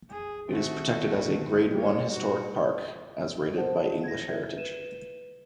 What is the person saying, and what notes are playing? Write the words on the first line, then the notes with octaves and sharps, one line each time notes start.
It is protected as a Grade One historic park, as rated by English Heritage.
G#4
D#3 A3 C4 F#4
D3 D#3
G3 A#3 G4 C#5
F#4
A4 A#4 C5 F#5 A5
G#6 A#6
E4 E5 G#6
B4 D#7 E7